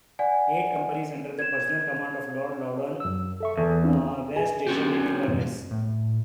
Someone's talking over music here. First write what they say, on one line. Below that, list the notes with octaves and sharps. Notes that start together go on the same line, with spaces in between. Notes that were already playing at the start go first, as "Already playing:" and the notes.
Eight companies, under the personal command of Lord Loudoun, were stationed in Inverness.
D5 F#5 G#5
G#6 E7
F#2 E6
A4 E5 C#6
E2 A4
C4 D4 E4
G#4 G#5
C#4 F#4 G4
E1 F#2 B2
A2